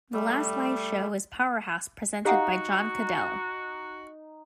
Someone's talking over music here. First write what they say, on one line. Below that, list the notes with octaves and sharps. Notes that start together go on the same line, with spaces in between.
The last live show was Power House presented by John Caddell.
G3 A3
D#4 F#4 G4 F5 F#5